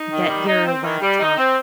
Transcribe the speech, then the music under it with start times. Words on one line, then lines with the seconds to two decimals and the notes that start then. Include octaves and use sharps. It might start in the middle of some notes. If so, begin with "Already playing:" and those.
get your laptop
Already playing: D#4
0.10 D#3
0.27 G3
0.46 D#4
0.64 C4
0.82 D#3
1.01 G3
1.19 D#4
1.37 C4